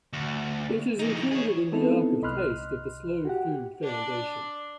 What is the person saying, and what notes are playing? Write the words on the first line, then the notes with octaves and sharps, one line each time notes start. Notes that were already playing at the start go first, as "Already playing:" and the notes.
It is included in the Ark of Taste of the Slow Food Foundation.
D2
E3 D#4
G#4 C#5
G#3 B3 C4 D#4 E4 A4
C2 D#5 B5 C6 F6 F#6
F#4 G4 F#5
D4 D5